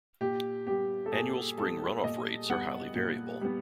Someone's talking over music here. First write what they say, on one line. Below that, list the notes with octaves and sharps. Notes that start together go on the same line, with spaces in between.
Annual spring run-off rates are highly variable.
A#2 G4
G3 B3 G4
A4
A#2 G#4
G3 B3 A4
A#2 D#5
G3 B3 F#5
A#2
G3 B3